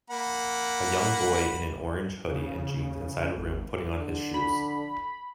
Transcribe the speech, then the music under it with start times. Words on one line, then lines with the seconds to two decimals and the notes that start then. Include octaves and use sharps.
A young boy in an orange hoodie and jeans inside a room putting on his shoes.
0.10 A#3 F#5 B5
2.30 C#3
3.38 G#1
3.97 D3
4.34 B5